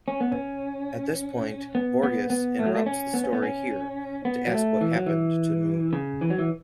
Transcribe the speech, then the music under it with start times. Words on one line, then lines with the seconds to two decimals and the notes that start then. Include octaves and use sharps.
At this point, Borges interrupts the story here to ask what happened to Moon.
0.08 C#4
0.21 B3
0.32 C#4
1.75 B3
2.03 B3
2.30 B3
2.59 A3
2.66 F#3
2.75 A3
2.86 C#4
3.14 B3
3.24 C#4
3.33 B3
3.43 C#4
4.25 B3
4.47 F#3
4.53 A3
4.81 E3
4.95 F#3
5.06 E3
5.93 C#3
6.21 E3
6.30 F#3
6.39 E3